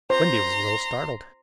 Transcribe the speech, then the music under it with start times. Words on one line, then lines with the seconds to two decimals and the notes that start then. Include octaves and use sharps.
Wendy was a little startled.
0.10 C5 A#5 C6